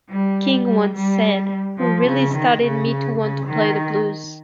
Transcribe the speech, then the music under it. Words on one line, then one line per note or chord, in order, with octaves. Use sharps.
King once said, who really started me to want to play the blues.
G3
G3
G3
F3
C#3
D#3
C#3
C#3
C#3
D#3